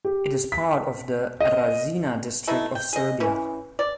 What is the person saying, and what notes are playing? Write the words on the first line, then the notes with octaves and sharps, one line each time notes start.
It is part of the Rasina District of Serbia.
G4
B6
D#5
A3 D#4 E4
G5
G#4 D#5
E3 C#4
D5